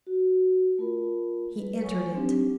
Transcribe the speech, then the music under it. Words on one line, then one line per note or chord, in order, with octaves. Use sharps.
He entered it.
F#4
A3 F4 A#4 B5
G3 B4
F#3 C#5 G#5 C#6
F#3 C4 D4 D#4 G4